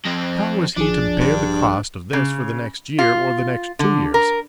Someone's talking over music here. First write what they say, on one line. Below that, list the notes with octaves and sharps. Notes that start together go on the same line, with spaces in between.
But how was he to bear the cost of this for the next year, or the next two years?
F2 C4
A#1 F3 D4 G#4
G2
C#3
F4
D3
A#4